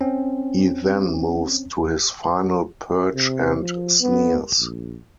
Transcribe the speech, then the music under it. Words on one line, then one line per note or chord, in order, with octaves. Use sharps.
He then moves to his final perch and sneers.
C4 C#4
C3
F3
B3
A#1